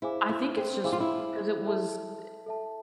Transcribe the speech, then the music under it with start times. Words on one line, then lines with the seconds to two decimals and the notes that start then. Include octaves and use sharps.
I think it's just 'cause it was, eh
0.02 E4 G#4 C5 F5 G#5 D6
0.29 E4
0.57 C4
0.84 E4 G#4 C5 F5 G#5 D6
0.92 F4
1.00 E4
1.65 A4 E5 A5
2.46 A4 E5 A5